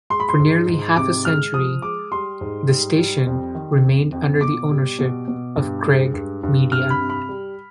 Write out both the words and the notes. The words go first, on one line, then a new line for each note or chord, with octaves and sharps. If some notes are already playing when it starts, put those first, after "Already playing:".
For nearly half a century, the station remained under the ownership of Craig Media.
G#3 C6
B5
C6
G#2
G#2
C3 D6
G#3 F6
F3 D#6
G#3 D6
G3 C6
G#2
G3
G3
F2
D#3
F2
F2
B2 D6
G3
B2
B2
G2
G#3
G2
G2
C3 F6
B5
C3
B5
G3